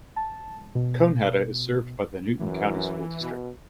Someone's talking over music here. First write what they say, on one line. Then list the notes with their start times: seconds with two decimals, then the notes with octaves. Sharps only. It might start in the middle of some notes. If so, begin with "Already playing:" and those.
Conehatta is served by the Newton County School District.
0.16 A5
0.75 B2
2.39 F#2 E3
3.21 B2